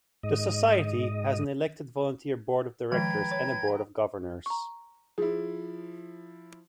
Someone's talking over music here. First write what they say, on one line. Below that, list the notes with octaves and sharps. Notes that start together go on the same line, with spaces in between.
The society has an elected volunteer Board of Directors and a Board of Governors.
G#2 D#5
D#3 F3 G#3 B4 G5 A#5 G#6
C#5
A#5 C#6
F3 E4 G#4